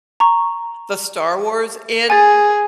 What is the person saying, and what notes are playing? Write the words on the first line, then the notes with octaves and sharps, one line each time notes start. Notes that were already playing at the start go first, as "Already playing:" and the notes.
the Star Wars, and,
A#5 C#6
G#4 G#5 A6